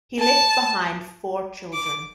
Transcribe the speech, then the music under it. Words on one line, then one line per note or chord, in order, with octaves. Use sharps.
He left behind four children.
A5
D6